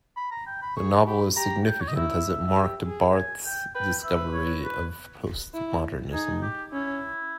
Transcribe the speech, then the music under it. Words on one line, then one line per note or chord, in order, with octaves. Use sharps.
The novel is significant as it marked Barth's discovery of postmodernism.
B5
A#5
G5
B5
G#4 C#6
G4 B5
G4 A#5
G5
C#5
D#5
E4 E5
G4
G#4
G#5
G5
B4 G5
B4 E5
C#5
B4
E4
D#4 G#4
G4
C#4 E4